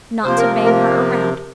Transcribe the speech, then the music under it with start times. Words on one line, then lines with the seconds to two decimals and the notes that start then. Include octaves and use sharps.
Not to Bang her round.
0.24 C3 F3 A#3 C5
0.38 A#4
0.65 A#4